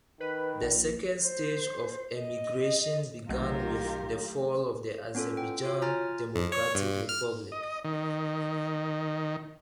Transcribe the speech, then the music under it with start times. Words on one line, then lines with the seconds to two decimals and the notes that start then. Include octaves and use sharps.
The second stage of emigration began with the fall of the Azerbaijan Democratic Republic.
0.20 D#3 B4
0.61 A#1
1.23 C5
2.17 D#5
3.29 B1 D#3 F#3 A3 F4 G4 A#4
5.15 B3 C#4 F4 A4
5.37 G5
5.63 F4 F#4 C#5
5.82 F4 G#5 A#5 F6 A6
6.35 F2
6.52 C#5
6.75 G2
7.09 F6
7.52 D#5
7.84 D#3